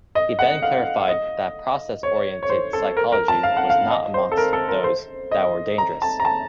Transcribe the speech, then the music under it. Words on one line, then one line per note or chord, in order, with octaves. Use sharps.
He then clarified that process oriented psychology was not amongst those that were dangerous.
D#5
F#5
F5
D#5
C#5
C#5
C5
A4
A#4
A#4
A5
F5
F#5
F5
D#5
C5
A4
A#4
A4
A#4
C5
D#5
A#5
A5
A#5
A5